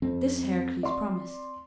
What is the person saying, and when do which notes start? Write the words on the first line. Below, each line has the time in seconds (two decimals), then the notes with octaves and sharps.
This Heracles promised.
0.02 F2 C4
0.83 D5 C6